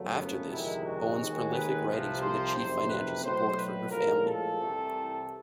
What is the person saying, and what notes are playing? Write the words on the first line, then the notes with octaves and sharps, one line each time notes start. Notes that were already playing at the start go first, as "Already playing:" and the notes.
After this, Bowen's prolific writings were the chief financial support for her family.
Already playing: G1 F#2 C#3 F#3 A3
B3
G1 F2 C3 D#3 G#3 E4
F#4
D#2 D#3 G#3
B4
C2 C3 F3 B4
C5
F#1 F2 C3 C5
B4
B1 A2 F#3 C5
B4
A#1 A2 F3 G#3 A#4
A4
C2 C3 E3 A3